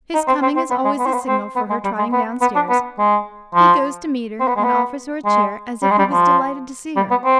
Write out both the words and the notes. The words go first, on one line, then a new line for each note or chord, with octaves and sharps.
His coming is always the signal for her trotting down stairs; he goes to meet her and offers her a chair, as if he was delighted to see her.
D#4
C4
C4
C4
B3
G#3
B3
C4
B3
C4
B3
G#3
G3
G#3
B3
B3
D4
B3
G#3
F3
C4
B3
G#3
B3
G#3
G3
G#3
G3
F3
G3
B3
C4